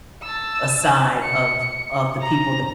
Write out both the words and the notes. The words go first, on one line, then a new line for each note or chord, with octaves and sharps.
a side of of the people that
A5 E6
C#7
A#5